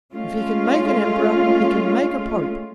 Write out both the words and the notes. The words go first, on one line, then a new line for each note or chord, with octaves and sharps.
If he can make an emperor, he can make a pope.
G#3 A3 C#4 F4